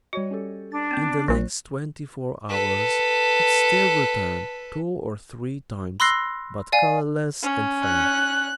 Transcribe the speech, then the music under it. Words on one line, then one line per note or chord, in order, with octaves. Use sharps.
In the next twenty-four hours, it still returned two or three times, but colorless and faint.
G3 F#4 C#5 D#5
C#4 G4 A4
D4 A6
B3 C4
A#1 A#2 F#3 F#6
A4 B4
B5 C6 E6 F#6 A#6 C7
D5 F5 G#5
C#4
F#6